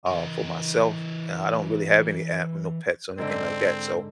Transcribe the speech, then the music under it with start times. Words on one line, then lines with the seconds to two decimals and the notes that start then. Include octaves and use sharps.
uh, for myself, uh, I don't really have any a no pets or anything like that, so,
0.06 E3 A#4
3.18 G#2 D3 C4